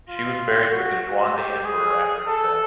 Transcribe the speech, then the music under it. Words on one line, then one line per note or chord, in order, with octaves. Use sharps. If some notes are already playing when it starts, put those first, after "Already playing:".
She was buried with the Xuande Emperor after his death.
F4
F#4
F#4
G4
G#4
A4